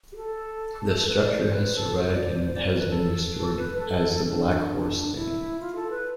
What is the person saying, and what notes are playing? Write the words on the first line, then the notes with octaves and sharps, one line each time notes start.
The structure has survived and has been restored as the Black Horse Inn.
G4
A4
B4
D5
C5
B4
A4
C5
D5
C5
C5
D5
C5
B4
A4
A4
B4
A4
D4
E4
F4
A4
B4